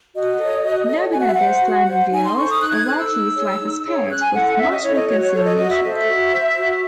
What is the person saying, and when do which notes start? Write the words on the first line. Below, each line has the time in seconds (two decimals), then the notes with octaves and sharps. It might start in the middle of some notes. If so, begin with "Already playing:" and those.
Nobunaga's plan revealed, Araki's life was spared, with much reconciliation.
0.14 F#4 D#5
0.38 A4 C#5
0.63 F#4
0.88 A4 C#5
1.12 F#4 G#5
1.20 F#5
1.27 E5
1.34 C5 F#5
1.62 F#4
1.86 C5
2.11 D#4 G#5
2.24 C6
2.36 A4 C5 C#6
2.48 D#6
2.61 D#4 F#6
2.73 G#6
2.85 A4 C5 F#6
2.97 E6
3.10 D#4
3.35 G#4 C#5
3.60 D#4
3.85 G#4 C#5
4.04 G#6
4.09 C#4 F#6
4.21 G#5
4.33 E4 A4 F#5
4.46 F#5
4.58 C#4 E5
4.71 D#5
4.83 E4 A4 C#5
4.96 D#5
5.08 F#4 C#5
5.20 C#5
5.33 A4 C5 C#5
5.45 D#5
5.57 F#4 D#5
5.70 E5
5.82 A4 C5 D#5
5.95 E5
6.07 F#4
6.32 C5
6.56 F#4